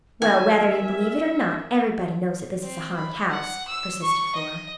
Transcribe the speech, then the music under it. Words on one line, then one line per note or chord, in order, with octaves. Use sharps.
"Well, whether you believe it or not, everybody knows that this is a haunted house," persisted Flora.
D#3 A#4 E5 G#5
C4
B5
F#5
E6
C#6
D#5